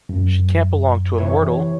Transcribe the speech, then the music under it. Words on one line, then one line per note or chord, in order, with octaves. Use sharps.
She can’t belong to a mortal!
F#2
C3 E3 C#5